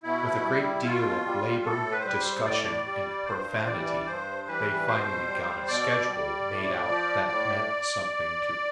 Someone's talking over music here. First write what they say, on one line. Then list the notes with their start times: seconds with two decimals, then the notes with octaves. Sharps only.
With a great deal of labor, discussion, and profanity they finally got a schedule made out that meant something to Hugh.
0.03 B2 E4
0.43 G3
0.83 B2 F4
1.24 G3
1.65 A2 A4
1.92 B4
1.99 C5
2.04 G3 B4
2.18 C5
2.45 A2 D5
2.85 G3
3.26 G2 C5
3.66 E3 G3 D5
4.06 G2 C5
4.47 E3 G3 B4
4.87 B2 C5
5.27 G3
5.68 B2 D5
6.08 G3
6.48 A2
6.89 F3
7.30 A2